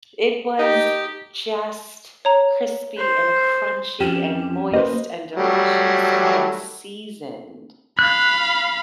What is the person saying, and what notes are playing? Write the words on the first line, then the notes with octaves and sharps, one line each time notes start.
It was just crispy and crunchy and moist and delicious and seasoned.
D#4 G4
C#5 A#5
C5
F2 C#4 G4 E7
A#3 B4 C5 D#5
F#3 G3 A3
F5 B5 F#6